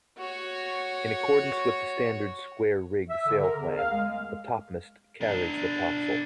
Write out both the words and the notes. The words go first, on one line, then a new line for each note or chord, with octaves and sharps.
In accordance with the standard square rig sail plan, the topmast carries the topsail.
F#4 C#5
E5
D3
A#4
E2
F5
G#3
D4 A#4